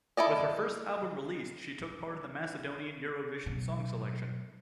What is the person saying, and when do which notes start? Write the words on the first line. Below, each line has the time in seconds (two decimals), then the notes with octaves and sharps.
With her first album released, she took part in the Macedonian Eurovision song selection.
0.17 E4 A4 D5 D#5
3.46 B2 F#3